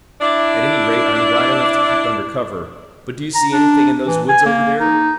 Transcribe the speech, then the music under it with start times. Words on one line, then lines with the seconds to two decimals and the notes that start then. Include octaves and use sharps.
At any rate I'm glad enough to keep under cover, but do you see anything in those woods over there?
0.20 D4 E4
3.35 A#5
3.52 D4
4.06 E3
4.29 G#5
4.46 A#3
4.80 D#4